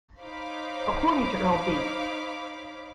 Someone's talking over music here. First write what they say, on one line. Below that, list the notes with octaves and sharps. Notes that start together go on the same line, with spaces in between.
According to Earl B.
D#4 C5 C#5 F5 B5 D6